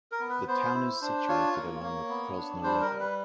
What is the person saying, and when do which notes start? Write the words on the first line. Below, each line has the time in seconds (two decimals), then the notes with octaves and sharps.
The town is situated along the Prosna river.
0.12 A#4
0.20 B3
0.29 B4
0.47 B3 C5
0.74 E4
1.01 D4 C5
1.28 F4 C#5
1.56 A#3
1.83 A#3
2.09 B3
2.37 D4
2.63 G3 C5
2.82 A#4
2.91 G3
3.00 B4